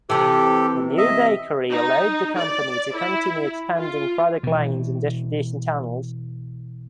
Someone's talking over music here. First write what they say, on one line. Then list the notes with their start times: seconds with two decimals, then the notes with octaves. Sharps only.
The new bakery allowed the company to continue expanding product lines and distribution channels.
0.10 C3 E3 G4 A4
0.98 D#5 E5
1.72 D#4
2.37 D5
2.95 E4
3.78 F4
4.43 B2 E3